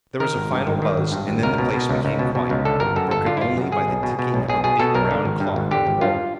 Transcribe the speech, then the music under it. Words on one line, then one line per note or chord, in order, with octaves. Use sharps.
There was a final buzz and then the place became quiet, broken only by the ticking of a big round clock on the wall.
D#3 A#4
G#1
G2
G#1
D#3
G#1
G2
G#1
C#2 A#4
B2
B2
C#2
C#2
B2
B2
C#2
D3 A4
G1 A#4
F#2 A4
G1 A4
D3 F4
E4
G1 F4
F#2
G1 G#4
B1
B2
B2
B1
B1 G#4
B2 G#4
B2 A4
B1 A#4
D3
G#1
G2
G#1
D3 G4
G#1
G2 F4